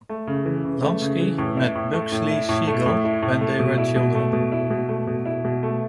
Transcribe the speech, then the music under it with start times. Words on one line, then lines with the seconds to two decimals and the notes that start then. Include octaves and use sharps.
Lansky met Bugsy Siegel when they were children.
0.09 A3
0.27 C#3
0.45 E3
0.65 C#3
0.82 A3
1.01 C#3
1.20 E3
1.38 A2
1.57 E4
1.75 A2
1.94 A3
2.12 A2
2.31 E4
2.49 A2
2.67 A3
2.86 A2
3.04 E4
3.22 A2
3.41 A3
3.60 B2
3.78 E4
3.96 B2
4.15 A3
4.33 B2
4.52 E4
4.70 B2
4.88 A3
5.07 B2
5.25 E4
5.45 B2
5.63 A3